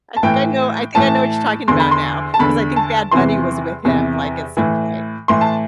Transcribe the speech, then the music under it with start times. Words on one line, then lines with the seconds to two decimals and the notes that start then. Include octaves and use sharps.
I think I know I think I know what you're talking about now, 'cause I think Bad Bunny was with him, like, at some point.
0.16 A5
0.23 A2 E3 G5
0.95 A2 E3 A5
1.68 E2 D3 C6
1.80 B5
1.91 C6
2.34 A5
2.39 E2 D3 B5
2.76 A5
3.11 E2 C3 E3 C6
3.85 E2 C3 E3
4.57 A2 E3
5.28 A2 E3 C6
5.41 A5